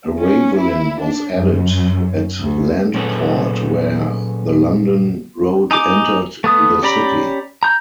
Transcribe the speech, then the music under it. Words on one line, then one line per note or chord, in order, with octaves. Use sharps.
A ravelin was added at Landport where the London road entered the city.
C#4
E4
D4
F#2
D2
A#2 F#3 C#4 G#4 A4 B4
D#4 G#5 D6
A3 B3 D#6
C#4 G4 D5 A#5 B5
A#5 G6